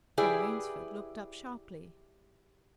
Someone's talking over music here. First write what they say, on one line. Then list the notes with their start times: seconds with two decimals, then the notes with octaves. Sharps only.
Ben Rainsford looked up sharply.
0.18 E4 G4 G#4 B4 D5